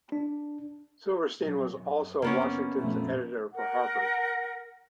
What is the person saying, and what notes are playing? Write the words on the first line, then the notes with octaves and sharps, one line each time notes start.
Silverstein was also Washington editor for "Harper's".
D4
A#2 F#3
F#2
A#3 B3 C#4
F2 A#2 A3
A#4 F#5